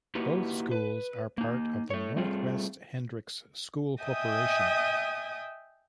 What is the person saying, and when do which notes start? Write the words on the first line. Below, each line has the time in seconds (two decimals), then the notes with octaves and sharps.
Both schools are part of the North West Hendricks School Corporation.
0.15 A#3 D#4 E4 F#4 G4 B4
0.71 B4
1.38 A#3 D#4
1.90 A3 C#5
2.16 G3 A3 C4 F4 G#4
4.02 D#5 E5 G5 G#5 D#6